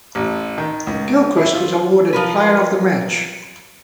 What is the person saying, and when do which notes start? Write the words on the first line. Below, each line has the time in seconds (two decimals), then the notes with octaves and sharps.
Gilchrist was awarded player of the match.
0.15 A1
0.58 D#3
0.87 C#2
1.37 E4
1.54 F4
2.13 F3 A#4 B4